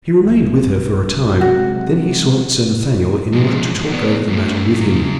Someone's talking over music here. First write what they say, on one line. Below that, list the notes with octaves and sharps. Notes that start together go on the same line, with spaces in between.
He remained with her for a time, then he sought Sir Nathaniel in order to talk over the matter with him.
B1
C3 F#3 G#3 F#4
F3 G#3
G#2 E3
B3 D4
F#2 A3
C#3 F#3